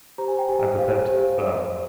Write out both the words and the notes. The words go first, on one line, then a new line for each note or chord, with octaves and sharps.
I prepared to be firm.
G4 C5 A#5
G#5
G5
G4 C5 G#5
G4 C5 F5
G4 C5